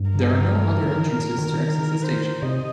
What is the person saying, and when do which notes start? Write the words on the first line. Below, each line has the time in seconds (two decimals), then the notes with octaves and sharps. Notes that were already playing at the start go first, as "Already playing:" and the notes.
There are no other entrances to access the station.
Already playing: G2
0.10 A#4
0.87 D#3
1.39 D#3
1.65 A#4
2.03 C5
2.42 C3 D#5